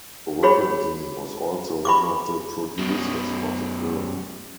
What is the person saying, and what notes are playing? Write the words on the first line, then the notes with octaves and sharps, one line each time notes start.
Robinson was also one of the producers for the film.
F#4 G#4 C#5 B5
B5 C#6 D6
F#2 B2